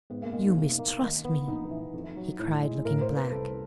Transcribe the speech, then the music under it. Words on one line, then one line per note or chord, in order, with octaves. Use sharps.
'You mistrust me?' he cried, looking black.
G#2 B3
A#3
G#3 A#3
D#4
C3
A#3
D#3
B3
A#1 D#4
E3
F2
F#3
A2 E4
G#3
A2 A#4
C5
A#3
B4
C2 A4